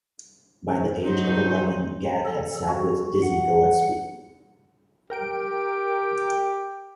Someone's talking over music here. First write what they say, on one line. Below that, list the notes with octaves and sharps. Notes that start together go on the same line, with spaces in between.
By the age of eleven Gadd had sat in with Dizzy Gillespie.
F#3 D#4 C5
A4
F#4
F#5
G4 A#4 G5 D7